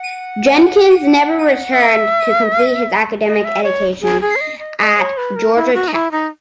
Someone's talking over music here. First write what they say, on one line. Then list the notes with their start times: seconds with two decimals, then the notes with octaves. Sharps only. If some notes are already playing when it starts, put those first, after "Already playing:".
Jenkins never returned to complete his academic education at Georgia Tech.
Already playing: F#5
1.73 E5
3.26 D#5
3.45 E5
3.64 C#5
4.02 G#4
4.21 G#4
4.36 C#5
4.41 D#5
4.59 D#5
4.79 D#5
4.98 C#5
5.17 B4
5.36 A#4
5.55 E4
5.74 F#4
5.88 D#4
5.93 E4
6.11 D#4